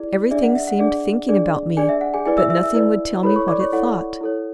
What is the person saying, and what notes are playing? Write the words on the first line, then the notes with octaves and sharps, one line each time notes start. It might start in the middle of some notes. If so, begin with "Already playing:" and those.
Everything seemed thinking about me, but nothing would tell me what it thought.
Already playing: E4 G#4 D5
D4 G#4 D5 E5
F#5
E5
F#5
D4 G#4 D5
D4 G#4 D5
D4 G#4 D5 G#5
E5
F#5
G#4 G#5
E4 G#4 B4 D5 G#5
E5 E6
E5 E6
E5 E6
E4 B4 D5
E4 A4 B4 C#5 B5
C#5 C#6
D5 D6
C#5 C#6
E4 A4 C#5 F#5
E4 A4 C#5